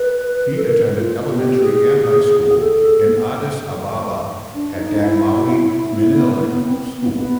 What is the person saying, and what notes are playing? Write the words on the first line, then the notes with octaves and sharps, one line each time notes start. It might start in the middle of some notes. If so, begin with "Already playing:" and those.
He attended elementary and high school in Addis Ababa at Dagmawi Minilik School.
Already playing: B4
A4
A#4
B4
F4
G4
G#4
A4
D4
D#4
E4
E4
B3
B3
C4
B3
B3